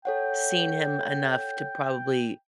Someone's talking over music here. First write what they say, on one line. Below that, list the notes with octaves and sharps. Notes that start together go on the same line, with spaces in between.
seen him enough to probably
A4 C#5 F#5 G5